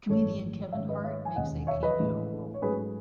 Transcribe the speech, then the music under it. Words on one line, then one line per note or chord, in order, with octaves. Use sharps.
Comedian Kevin Hart makes a cameo role.
G#1 F#2 E3 G#3 A4 C#5
G#2 D#3 A3 C#4 C#5 E5
B4 D#5
C#5 E5
G#5
E1 D#2 D#3 G#3 C#4 D#5 F#5
C#5 E5
B4 D#5
A1 A2 E3 G#3
C#5
G#2 F#3 A3 C#4 G#4 B4